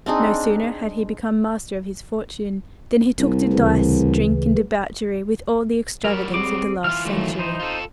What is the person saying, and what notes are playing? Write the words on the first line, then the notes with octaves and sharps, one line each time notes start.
No sooner had he become master of his fortune than he took to dice, drink, and debauchery with all the extravagance of the last century.
C4 D4 D#4 G#4
C2
D2 C#3 E3
F#3 G3 A#4
C4 G#4 D6
E3 F4 F6
D#3 F#3 A3
D#4 C5
F4 A4